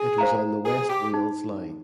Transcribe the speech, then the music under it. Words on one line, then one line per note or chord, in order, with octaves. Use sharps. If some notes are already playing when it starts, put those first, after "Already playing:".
It was on the West Wales Line.
Already playing: G#4
C5 F5 A#5
G#4
G4
D#4